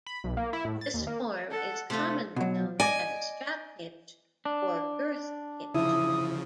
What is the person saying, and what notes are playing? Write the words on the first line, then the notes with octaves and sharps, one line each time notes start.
This form is commonly known as a strap hitch or girth hitch.
B5
B1
A#3
E4
A2
A6
D#2
A#3
A4 F#5
C3 A3 F4
B2 F#3
D5 D#5 G#5
D4
C#3 F3 E4 D#6